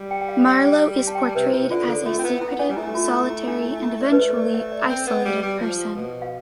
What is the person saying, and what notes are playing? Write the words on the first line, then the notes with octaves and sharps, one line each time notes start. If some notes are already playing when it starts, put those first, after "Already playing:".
Marlowe is portrayed as a secretive, solitary and eventually isolated person.
Already playing: G3
G5
G5
F5
G5
A5
G5
A5
C3 B4
C3 E4
D3 F4
D3 A4
A3 F4
C4
B3 E4
B3 E4
B3 D4
G3
A3 E4
F4
E4
E4
D4
E4
E4
D5
B4
A3 C5
D5
E5
D5
C4
B3
G3
G3
F3
B2
F5